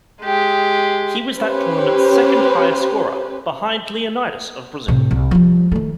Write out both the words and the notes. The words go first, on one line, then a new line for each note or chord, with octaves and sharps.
He was that tournament's second-highest scorer, behind Leonidas of Brazil.
G#3 G4
C#4 G4 B4 C5
A2 C3
C2
F3 G3
D#3 A3